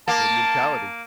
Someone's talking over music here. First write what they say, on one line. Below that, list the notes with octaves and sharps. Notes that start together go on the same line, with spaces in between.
Your mentality.
A#3 A5